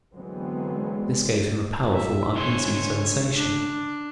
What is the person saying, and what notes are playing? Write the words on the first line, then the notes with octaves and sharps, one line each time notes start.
This gave him a powerful, uneasy sensation.
D3 E3 F#3 G#3 B3 C4
E5
C#2 D3 C5 C#5 G#5
D4